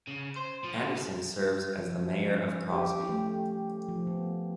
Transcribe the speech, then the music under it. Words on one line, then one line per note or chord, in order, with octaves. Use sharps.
Anderson serves as the mayor of Crosby.
C#3
C5
F3
F3
C#4
G4
A3
F3
B3